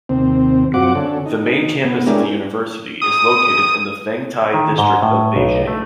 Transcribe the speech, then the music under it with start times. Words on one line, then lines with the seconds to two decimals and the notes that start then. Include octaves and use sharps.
The main campus of the university is located in the Fengtai District of Beijing.
0.09 D#2 C3 C4
0.74 F#2 C4 F4 F#4 F#5 D6
0.95 D3 C#4 A4
1.26 D#4
1.84 B2 B3
2.07 G#3 C#4 D4 E4 G4 A#4
3.02 D#6
4.54 D#3
4.78 G#2
5.02 A2
5.36 B1
5.67 A3